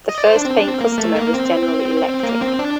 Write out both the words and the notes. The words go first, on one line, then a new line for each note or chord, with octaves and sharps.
The first paying customer was General Electric.
D#5
D5
C5
D4
C4
D4
C4
A#3
A3
A#3
C4
A#3
C4
D4